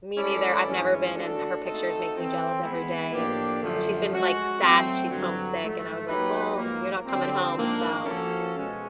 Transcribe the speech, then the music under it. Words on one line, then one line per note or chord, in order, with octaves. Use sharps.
Me neither, I've never been, and her pictures make me jealous every day, and she's been, like, sad, she's homesick, and I was like, "Well, you're not coming home, so
G#3 C#4 E4 A4 D5
G2 E3 G#3 C#4 E4
A3 D4 F#4 A4
A3 C4 D#4 F#4 A4
E3 A3 C4
E3 G#3 B3 E4
A2 F3 A#3 D4 G4
F#2 D3 F3 A3
G#3 C#4 F#4
F#3 A3 C4
G2 D3 F#3
G#2 F3 A3
F#3 A#3 D#4 G4 B4
G#2 F3 A#3
D3 G3 C4
G#2 F3 A#3 D4
F3 A#3 C#4 F#4 A4
B2 G#3 C#4